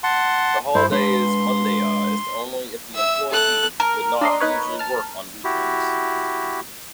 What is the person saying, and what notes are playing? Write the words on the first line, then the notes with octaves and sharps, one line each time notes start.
The holiday is Mondayised only if the employee would not usually work on weekends.
F#5 A5 C6
G2 E4 C5
G#3 D4 B4 C6
E5 E6
A4 F#6
A#4
D4 D#5 C6
D#4 B4 C#5
A5 F6
E4 F#4 G4